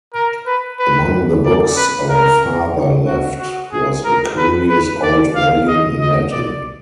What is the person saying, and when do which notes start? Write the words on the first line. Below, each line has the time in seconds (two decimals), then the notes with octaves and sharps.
Among the books our father left was a curious old volume in Latin.
0.14 A#4
0.47 B4
0.80 B4
1.45 D5
1.77 B4
2.09 A#4
3.07 F#4
3.39 F#4
3.72 G#4
4.04 A#4
4.38 B4
4.70 B4
5.03 D5
5.35 F5
5.67 D#5
6.00 D#5
6.32 D5